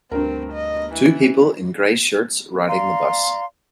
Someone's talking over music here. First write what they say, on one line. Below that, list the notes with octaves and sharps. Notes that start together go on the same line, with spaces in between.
Two people in gray shirts riding the bus.
D2 G2 C4 A#4
D#5
E3
C#4
D5 F5 A#5 C6